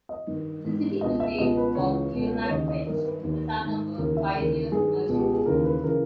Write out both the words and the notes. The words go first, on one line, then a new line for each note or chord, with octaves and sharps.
The city was named for Leonard French, the son of a pioneer merchant.
D#5
G2 D#3
G#2 E3
C#2 B2 D#5
E5
C#2 B2 D#5
B4
C#2 C#3 E3 C#5
C#2 B2
C#5
D#2 C#3 E3 D#5
D#5
G2 D#3 A#4
B4
D#2 D#3
D#3
G#2
D#2 C#3 E3 A#4
E5
D#2 C#3 E3 A#4
G2 D#3 G#4
C#2 B2
G4
G#4
D#2 C#3 E3 A#4
B4
C#3 E3 A#4